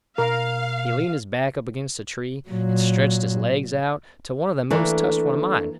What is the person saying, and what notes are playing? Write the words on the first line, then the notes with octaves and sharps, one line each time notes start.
He leaned his back up against a tree, and stretched his legs out till one of them most touched one of mine.
B2 A#4 F5
A#2 F#3
E3 A3 A#3 D4